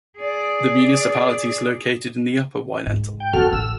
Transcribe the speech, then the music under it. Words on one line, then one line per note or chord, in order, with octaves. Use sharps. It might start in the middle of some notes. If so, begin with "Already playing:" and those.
The municipality is located in the upper Wynental.
G#4 D5
G#2
G5
F2 D3 F#4 A4 F6
A1 E6